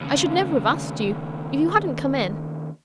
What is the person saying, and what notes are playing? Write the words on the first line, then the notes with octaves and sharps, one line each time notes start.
'I should never have asked you, if you hadn't come in.
D#2 C#3